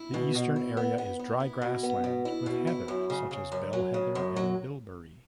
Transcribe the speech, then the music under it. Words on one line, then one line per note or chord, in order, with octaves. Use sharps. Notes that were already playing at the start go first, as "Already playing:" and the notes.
The eastern area is dry grassland with heather such as bell heather and bilberry.
Already playing: E4
B2
B2
E4
B3
B3
B3
E4
B2
B3
B2
E4
B2
E4
F#2
C#3
C#3
F#2
F#3
C#3
F#2
F#3